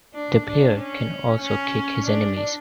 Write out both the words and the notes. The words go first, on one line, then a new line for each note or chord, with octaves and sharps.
The player can also kick his enemies.
D4
D4
C#4
C#4
D4